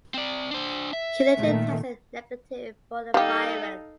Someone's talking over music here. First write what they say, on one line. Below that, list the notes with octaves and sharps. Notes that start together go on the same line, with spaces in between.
He later tested negative for the virus.
C4 D5
D4 C5
E5
A#2 D#3 A3
G3 D#4 G4 A4 F5